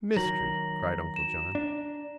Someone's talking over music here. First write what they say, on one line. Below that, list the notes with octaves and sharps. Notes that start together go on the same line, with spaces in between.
"Mystery!" cried Uncle John.
D#3 F#3 A#5 A#6 F#7
E7
D4